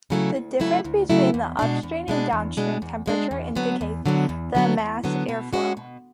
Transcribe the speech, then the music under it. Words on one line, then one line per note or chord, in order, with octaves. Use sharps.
The difference between the upstream and downstream temperature indicates the mass airflow.
C#3 F#3 A3 E4
D2
C#3 F#3 A3 E4
D2
C#3 F#3 A3 E4
E2
B2 G#3 D4
E2
B2 G#3 D4
E2
B2 G#3 D4
E2
B2 G#3 D4
E2
D3 F#3 B3
E2
D3 F#3 B3
E2
D3 F#3 B3
E2
D3 F#3 B3
B2
G#3 C#4 F#4
B2